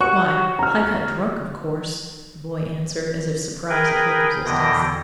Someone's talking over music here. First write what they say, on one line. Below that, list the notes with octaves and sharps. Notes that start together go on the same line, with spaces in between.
"Why, I got drunk, of course," the boy answered, as if surprised at her persistence.
F#4 G4 C#5 C#6
A#5 F6
G#4 A#4 B4 G5
E2 B2 D3 E3 G5 A#6